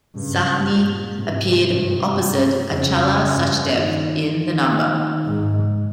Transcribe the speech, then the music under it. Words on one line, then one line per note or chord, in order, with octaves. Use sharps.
Sahni appeared opposite Achala Sachdev in the number.
G2 C#3
A#2
G#2 C3
G2
F2 C#3
G2
D#3
G#2